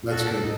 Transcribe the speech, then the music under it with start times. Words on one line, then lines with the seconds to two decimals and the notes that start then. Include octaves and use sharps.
That's good.
0.11 F#4 A4
0.27 D4
0.43 D#4